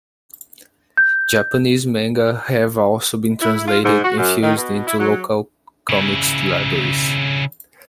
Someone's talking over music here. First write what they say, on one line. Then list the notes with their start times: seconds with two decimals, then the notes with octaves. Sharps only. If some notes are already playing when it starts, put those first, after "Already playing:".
Japanese manga have also been translated and fused into local comics libraries.
0.97 G6
3.41 E4
3.67 F4
3.84 G#2
4.04 F#4
4.18 F#2
4.42 D#3
4.57 B2
4.87 E4
4.99 F#3
5.89 C#3 E4